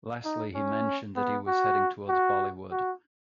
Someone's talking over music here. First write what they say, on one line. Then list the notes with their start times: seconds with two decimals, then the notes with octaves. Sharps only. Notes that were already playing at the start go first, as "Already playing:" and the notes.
Lastly, he mentioned that he was heading towards Bollywood.
0.25 D#4
0.55 C#4
1.16 B3
1.47 F#4
2.08 F#4
2.71 F#4